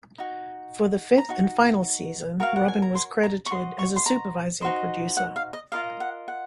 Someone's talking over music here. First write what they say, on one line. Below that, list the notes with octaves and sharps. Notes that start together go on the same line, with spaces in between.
For the fifth and final season Robin was credited as a supervising producer.
D#4 F#4
A#5
D#4 F#4
F#4 A#4 C#5 F5
F#5
G#5
A#5
C6
A#5
C#6
F#4 C5 D#5 C6
C#6
C6
A#5
D#4 F#4 C5 D#5
F#5
F5
D#5
F4 A#4 D#5 F5
F#5
F#5